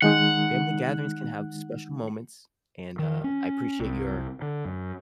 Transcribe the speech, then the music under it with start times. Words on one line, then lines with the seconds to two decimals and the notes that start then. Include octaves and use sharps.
family gatherings can have special moments and, uh, I appreciate your
0.02 D#3 G#3 D#4 F#5
2.99 D#3
3.24 C#4
3.79 C2
4.42 D3
4.65 F#2